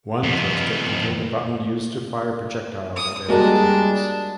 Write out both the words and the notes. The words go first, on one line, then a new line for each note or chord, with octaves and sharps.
One joystick contained a button used to fire projectiles at enemy targets.
F2 B3
D#6
G3 G#3 A#3 D4 F#4 A#4